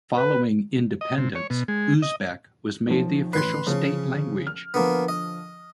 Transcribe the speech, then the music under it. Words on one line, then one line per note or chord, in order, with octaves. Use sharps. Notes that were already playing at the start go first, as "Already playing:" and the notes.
Following independence, Uzbek was made the official state language.
B4
D#5
C3
C#5
B2
G#3
D#5
B1 D#3 F3
A1 B4 C6 C7
C#3 F3 C#4
F6
D3 F3 A#3 B3
D#5